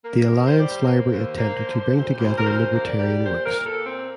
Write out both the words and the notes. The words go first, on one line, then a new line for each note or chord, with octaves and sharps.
The Alliance library attempted to bring together libertarian works.
A#3 A#4
G3
C5
G3 D5
C5
A#3
D#2
A#3
D3
D2
D2
A#4
D2 C5
A#3
D5
G3
A#2 C5
A#4
A#2
A4
A#3
C4